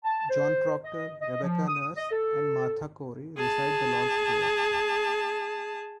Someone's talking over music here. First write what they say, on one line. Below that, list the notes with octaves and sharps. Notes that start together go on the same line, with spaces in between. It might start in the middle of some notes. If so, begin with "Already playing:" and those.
John Proctor, Rebecca Nurse and Martha Corey recite the Lord's Prayer.
A5
C5
D#5
D#5
F3
D#6
D#5
A4
G#4 A5